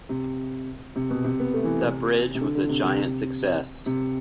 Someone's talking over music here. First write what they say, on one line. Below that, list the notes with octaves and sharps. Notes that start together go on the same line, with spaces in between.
The bridge was a giant success.
C3
C3
B2
C3
B3
A3
E3
C3
C3
D3
D3
C3
C3
C3